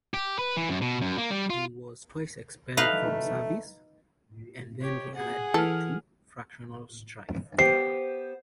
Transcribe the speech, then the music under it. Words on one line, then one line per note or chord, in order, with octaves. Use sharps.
He was twice expelled from service and then re-hired due to factional strife.
G4
B4
E3
F#2
B2
F#2
A#3
G3
F4
A3 D#4 B4 F5
G4 C#5
G#4 F#5 G#5
E3 A4 F6
B3 G4 C5 C7